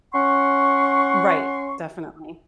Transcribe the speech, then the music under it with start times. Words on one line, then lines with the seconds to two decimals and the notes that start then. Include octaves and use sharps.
Right. Definitely.
0.14 C#4 F#5 C6 C#6